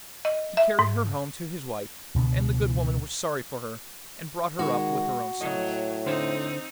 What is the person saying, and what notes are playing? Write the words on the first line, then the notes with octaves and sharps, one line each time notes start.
He carried her home to his wife, and the good woman was sorry for her, and brought her up with her own sons.
D#5
E5
G#2
C#2 B2 D3 B3
D#3 G#3 F#4
A2 F#3 D#5
D3 C4 D#4 C5